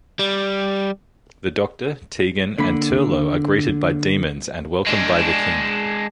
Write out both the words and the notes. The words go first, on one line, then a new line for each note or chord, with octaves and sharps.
The Doctor, Tegan, and Turlough are greeted as demons and welcomed by the King.
G3
D3 A#3 B5
G#3 D4